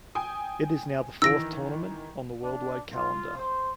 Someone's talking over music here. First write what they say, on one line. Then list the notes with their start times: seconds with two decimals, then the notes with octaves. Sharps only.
It is now the fourth tournament on the worldwide calendar.
0.15 G5 G#5 D#6
1.22 D#3 E3 E6 A#6 D7
2.43 D4
2.94 F4
3.36 C5